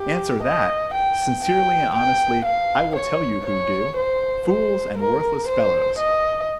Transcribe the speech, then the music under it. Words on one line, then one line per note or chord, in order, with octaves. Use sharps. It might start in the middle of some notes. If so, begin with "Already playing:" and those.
Answer that, sincerely and honestly I will tell you who do: fools and worthless fellows.
Already playing: G4
D#5
G5
G5
G5
F5
C#5
C#5
C5
C5
A#4
C5
D#5